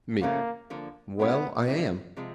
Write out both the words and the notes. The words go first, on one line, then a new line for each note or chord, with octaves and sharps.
ME: Well, I am.
C#3 F3 A3 A#3 C#4 F4
D3 F3 A#3
B2 G#3 B3 C#4 E4 G4
D3 G3 C4 E4
C3 F3 G#3